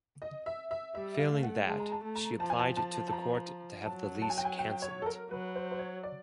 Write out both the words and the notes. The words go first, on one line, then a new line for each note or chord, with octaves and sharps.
Failing that, she applied to the court to have the lease cancelled.
D#5
E5
E5
G3 E5
E5
F5
A3
F#5
G#3 A5
A#5
A5
A3
A#5
F3 A5
G#5
A5
A5
A5
A#5
F#3 A5
A5
G#5
G5
G#5
G5
C#5
A4
A#4
F#3 B4
C5
C5
C#5
D5